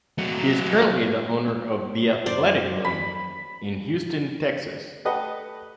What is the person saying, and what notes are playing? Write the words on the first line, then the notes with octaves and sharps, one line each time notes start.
He currently is the owner of The Athletic Room in Houston, Texas.
F#3 A3
F#2 C5 D5
B5
A3 G4 A4 B4 D#5 F#5